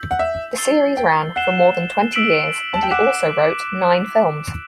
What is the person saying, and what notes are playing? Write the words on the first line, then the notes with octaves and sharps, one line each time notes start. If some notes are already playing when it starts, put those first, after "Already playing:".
The series ran for more than twenty years, and he also wrote nine films.
Already playing: E6 G6 B6
F#5
E5
E6 A6 C7 G7
G5
F#5 F#6 C7 E7 G7
E6 B6 D7 F#7
A5
G5
F#5 D6 F#6 B6 E7